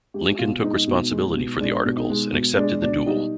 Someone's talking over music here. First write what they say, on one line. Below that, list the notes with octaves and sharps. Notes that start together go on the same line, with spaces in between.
Lincoln took responsibility for the articles and accepted the duel.
G#3 G4
B2 F4
G#3 D#4
B2
G#3
B2
G#3 D4
B2
D#4
G#3
B2
G#3 D4
B2 D4
G3 D#4